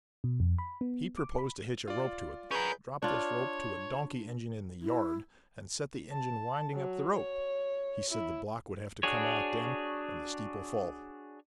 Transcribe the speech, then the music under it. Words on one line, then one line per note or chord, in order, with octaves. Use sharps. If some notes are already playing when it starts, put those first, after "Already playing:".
He proposed to hitch a rope to it, drop this rope to a donkey-engine in the yard, and set the engine winding up the rope. He said the block would have to come out then and the steeple fall.
B2
F2
B5
B3
D6
B5
F4 D5
C#4 G#4 A#4 B4 G6
D4 F4 C#5
E4
A5
F#3
C#5
E4
D4 F#4 G#4 C#5